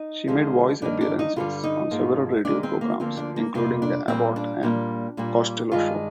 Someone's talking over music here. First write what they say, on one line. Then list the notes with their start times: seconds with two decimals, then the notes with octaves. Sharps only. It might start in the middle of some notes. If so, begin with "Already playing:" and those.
She made voice appearances on several radio programs, including the "Abbott and Costello Show".
Already playing: D#4
0.28 D#2 D3 F3 G#3
0.82 G2 D#3 A#3 D4
1.01 D4
1.19 D#4
1.36 G2 D3 G3 F4
1.64 D#4
1.91 G#2 F3 A#3
2.45 D#2 D#3 G#3 D4
2.63 C4
2.81 A#3
3.00 D2 D3 F3 A#3 C4
3.17 D4
3.36 A#3
3.54 F2 C3 G3 A#3 C4
3.82 D4
4.08 A#2 G3 A#3 C4
4.36 D4
4.63 A#2 G3 A#3
5.17 A#2 G3 A#3
5.72 G2 D#3 G#3 F4